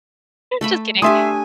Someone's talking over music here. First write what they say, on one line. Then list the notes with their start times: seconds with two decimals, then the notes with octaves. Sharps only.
Just kidding.
0.61 A3 E5 B5
1.02 A3 D4 G4 E5 G#5 C6 D#6